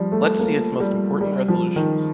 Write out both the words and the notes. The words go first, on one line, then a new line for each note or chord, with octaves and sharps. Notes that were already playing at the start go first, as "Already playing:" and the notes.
Let’s see its most important resolutions.
Already playing: F3 G3
A3
A#3
G3
G3
F3
D#3